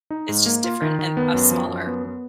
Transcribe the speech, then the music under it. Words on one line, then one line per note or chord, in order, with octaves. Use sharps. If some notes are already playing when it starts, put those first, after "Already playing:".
it's just different and a smaller
D#4
G#2
A#3
F4
D#3
D#3
B3
F#2
F3
F#2
B3
B3